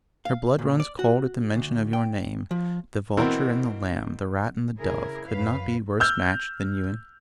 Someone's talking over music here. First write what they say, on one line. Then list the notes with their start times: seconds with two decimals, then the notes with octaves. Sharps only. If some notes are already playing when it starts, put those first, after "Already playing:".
Her blood runs cold at the mention of your name; the vulture and the lamb, the rat and the dove, could not be worse matched than you and she.
0.25 F5
0.59 A#2
0.80 D5
0.99 F#4
1.55 D2
1.93 G5
2.51 F3
3.17 B2 E3 C4 A#4
4.78 C#3 E4 G#4 A#4
5.27 F#2 B4 F5
6.00 E6 F6 G6